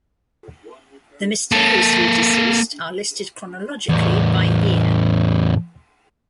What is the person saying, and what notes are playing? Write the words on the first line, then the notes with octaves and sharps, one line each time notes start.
The mysteriously-deceased are listed chronologically by year.
A#3 A4
E2 A2